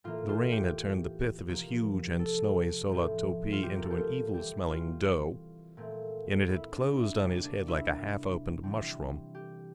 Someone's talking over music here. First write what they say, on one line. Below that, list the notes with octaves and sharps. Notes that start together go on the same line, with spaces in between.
The rain had turned the pith of his huge and snowy solah-topee into an evil-smelling dough, and it had closed on his head like a half-opened mushroom.
A2 E3 A#3 F4
F4
G4
C3 F3 A#3
A4
A2 F3 A3 C4
F4
G4
A#4
A4
G4
F4
E3 G3 C4 G4
F4
A#2 A3 C4
E4
D4
E4
C3 G3 A#3 D4
D4
E4
E3 G3 C4
G4